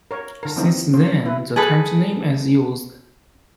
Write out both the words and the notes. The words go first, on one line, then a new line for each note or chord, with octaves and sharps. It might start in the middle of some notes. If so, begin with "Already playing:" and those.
Since then, the current name is used.
A#4 C#5
D3 A#4
E3 F3 A#3 C4 D#4
A#3 C#4 C5
E4 B4
G#4 A4 B4